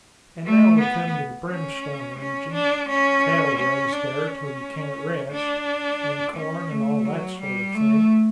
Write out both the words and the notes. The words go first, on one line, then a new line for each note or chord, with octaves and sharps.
And now we come to the Brimstone region--cattle raised there till you can't rest--and corn, and all that sort of thing.
A3
B3
C#4
C#4
D4
C#4
C#4
D4
C#4
D4
C#4
A3
F#3
G3
A3